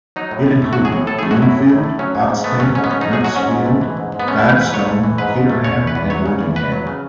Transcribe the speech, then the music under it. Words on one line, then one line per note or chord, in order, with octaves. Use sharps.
It included Lingfield, Oxted, Limpsfield, Godstone, Caterham and Woldingham.
F#3 D#4
A2
A2
A3
F#3 F#4
G#4
A2
A2 A4
A3 G#4
F#4
F#3 E4
A2
A2
A3
F#3 C#4
G#2
G#2
A3 B3
F#3 C#4
G#2 C#4
B3
G#2 C#4
A3 D#4
G#4
F#3 F#4
G#2 C#4
G#2
A3
E3
G#2
G#2
B3
A3 C#4
E3 E4
G#2 B4
G#2 C#5
A3
E3
G#2 B4
G#2
A3
C#3 C#5
E2
B4
E2
F#3 C#5
C#3
E2
E2 B4
F#3
C#3